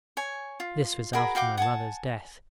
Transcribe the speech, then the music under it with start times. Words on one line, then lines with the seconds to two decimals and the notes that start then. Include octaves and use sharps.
This was after my mother's death.
0.17 C#5 G#5
0.60 F4
1.13 F#4 G#4 A#4 B5
1.35 F#4 F5 G5 D6
1.57 F#5 G#5 A5